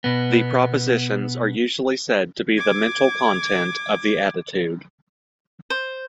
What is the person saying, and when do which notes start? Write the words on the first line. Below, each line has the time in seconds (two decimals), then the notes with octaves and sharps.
The propositions are usually said to be the "mental content" of the attitude.
0.04 B2 B3
2.57 D6 G#6
5.70 C5